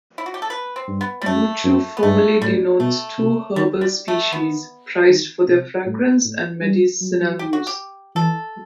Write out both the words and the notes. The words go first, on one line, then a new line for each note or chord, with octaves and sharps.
Buchu formally denotes two herbal species, prized for their fragrance and medicinal use.
E4
F#4
G4
A4
B4
C4
G2
B3
G3
F#2 A3
F#2
B3
G2 A3
A2 G3
B2 A3
C3
D#3 G3
G3
A3
D#3 B3
D#3
C3
A2
A2
G3
F#3
G4
F#4
G4
E3 A4